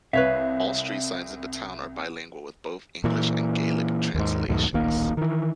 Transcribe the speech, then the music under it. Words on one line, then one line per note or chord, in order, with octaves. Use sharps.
All street signs in the town are bilingual with both English and Gaelic translations.
C2 B4 C#5 E5 F5
A#2 E3
D#2 G#2
C#2 F#2 A2 D#3
D1 A#1 D#3 A#3
D#3 E3